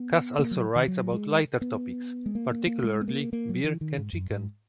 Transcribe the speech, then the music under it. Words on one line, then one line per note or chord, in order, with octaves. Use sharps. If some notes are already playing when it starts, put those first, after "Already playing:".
Kass also writes about lighter topics, particularly beer can chicken.
Already playing: B3
A#3
F#3
D#3
F#3
G#3
B3
G#3
A#3
A#3
A#3
G#3
B3
A#3
A#3
F#3
E3
D#3
G#2
F#2
G#2